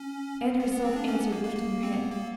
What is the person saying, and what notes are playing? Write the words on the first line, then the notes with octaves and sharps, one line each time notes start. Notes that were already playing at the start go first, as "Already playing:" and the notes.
Anne herself answered, lifting her head.
Already playing: C#4
B3
B3
C4
D4
C#4
B3
A#3
A#3
A#3
C4
B3
A#3